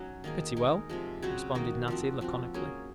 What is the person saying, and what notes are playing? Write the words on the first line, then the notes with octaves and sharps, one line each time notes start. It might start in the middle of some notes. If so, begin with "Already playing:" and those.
"Pretty well," responded Natty laconically.
Already playing: F#3 C#4 D#4
D#3 A#3 D#4 G#4
G#3 D#4 A#4
C3 F3 G#3
C#3 F#3 C4 F#4
D#3 A#3 D#4 F#4
F3 C4 F#4
F3 C4 F#4
F#3 A#3 C#4 G#4